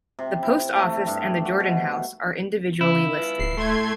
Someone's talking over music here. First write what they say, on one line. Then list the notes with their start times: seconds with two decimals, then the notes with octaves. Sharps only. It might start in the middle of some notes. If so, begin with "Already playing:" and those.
The post office and the Jordan House are individually listed.
0.19 C3
0.43 E4
0.76 A3
1.07 G2
1.45 F#4
1.60 B2
2.81 C#3 E4
3.17 F4 B4
3.40 D1 C7
3.57 A2 A3 C6 G#6